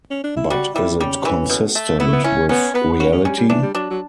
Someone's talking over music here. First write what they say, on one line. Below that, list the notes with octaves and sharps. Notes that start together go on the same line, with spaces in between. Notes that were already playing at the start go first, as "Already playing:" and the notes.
But is it consistent with reality?
C#4
D4
E4
G3 F#4
G3 E4
G3 C#4
E3
B2
A3
B3 E4
A3
B3
C#4 E4
B3 C#4
B3 B4
B3
C#4 F#4
C#4
G3 C#4
G3
E3 D4
G3
F#3 D4
F#3